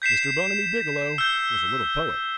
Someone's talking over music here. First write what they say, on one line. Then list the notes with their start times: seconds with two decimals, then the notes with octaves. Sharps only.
Mr. Bonamy Biggielow was a little poet.
0.02 G6 B6 C7 E7
1.18 E6 G6